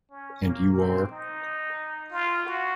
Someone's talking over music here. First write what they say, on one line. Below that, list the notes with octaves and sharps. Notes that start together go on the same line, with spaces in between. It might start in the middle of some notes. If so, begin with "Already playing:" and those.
And you are?
C#4
A#3
C4
D#4
F4
F#4